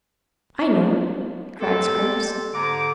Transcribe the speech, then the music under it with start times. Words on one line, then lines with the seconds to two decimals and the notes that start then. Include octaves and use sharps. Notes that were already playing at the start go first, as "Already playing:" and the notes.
"I know!" cried Scraps.
1.61 C4 G4 A4
2.54 G#2 D3 G#5 A#5 D6